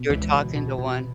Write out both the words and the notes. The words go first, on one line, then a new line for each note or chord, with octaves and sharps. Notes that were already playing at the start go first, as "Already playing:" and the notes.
You're talking to one.
Already playing: B2
C#2 E3
B2
B2
B2